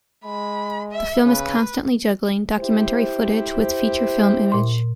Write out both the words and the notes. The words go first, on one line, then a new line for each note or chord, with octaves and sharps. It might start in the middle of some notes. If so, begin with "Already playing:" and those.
The film is constantly juggling documentary footage with feature film image.
G#3 B5
E5
C#3 B4
E4 G4 C5
A#2 C6